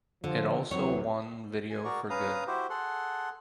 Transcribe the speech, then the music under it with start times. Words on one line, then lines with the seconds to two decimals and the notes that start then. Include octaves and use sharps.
It also won Video for Good.
0.24 D3 F3
0.71 D2 E3 F#3 C4 C#5
1.70 G#5
1.84 F#4 G#4 A#4 D5 C#6
2.10 C#4 B4 F5 A#5 D#6
2.47 E4 F#4 G4 C5
2.70 G#4 A4 F#5 C6